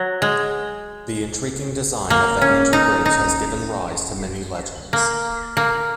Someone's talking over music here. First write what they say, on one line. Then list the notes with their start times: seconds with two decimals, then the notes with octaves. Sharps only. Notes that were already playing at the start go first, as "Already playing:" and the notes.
The intriguing design of the Anji bridge has given rise to many legends.
Already playing: F#3
0.22 G#3
2.10 A#3
2.41 C#4
2.73 D#4
3.05 D#4
4.93 A#3
5.57 A#3